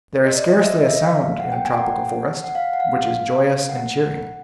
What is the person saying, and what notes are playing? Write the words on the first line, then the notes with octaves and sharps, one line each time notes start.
There is scarcely a sound in a tropical forest which is joyous and cheering.
D#5
D5
D#5
E5
D#5
E5
F5
F#5
G5
G#5
G5
F#5
F#5
F5
F#5
F5
F#5